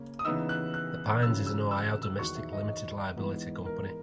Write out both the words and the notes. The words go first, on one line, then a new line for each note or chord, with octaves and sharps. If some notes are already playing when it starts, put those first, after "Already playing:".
The Pines is an Ohio Domestic Limited-Liability Company.
Already playing: C#3 A#3 C#4
D#6
C#3 E3 B3 D#4 E6
F#6
F#6
F#2 C#3 E3 E6
E6
E6
F#6
E6
E2 D#3 F#3 C#6
E5
D#5
D#5
G#2 E3 B3 E4
A#4